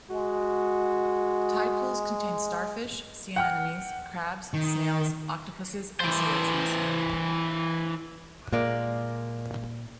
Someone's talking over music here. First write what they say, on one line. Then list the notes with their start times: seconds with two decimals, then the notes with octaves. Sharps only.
Tidepools contain starfish, sea anemones, crabs, snails, octopuses and sea urchins.
0.10 G#3 F#4
3.36 F#5 G5 F6
4.54 D#3
6.00 E3 C5
8.52 A#2 G#3 A#3 D5